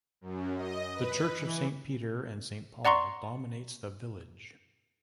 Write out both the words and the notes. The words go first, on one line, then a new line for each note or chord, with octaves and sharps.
The Church of Saint Peter and Saint Paul dominates the village.
F#2
D#5
B4
E3
D5 F#5 A#5 C6 C#6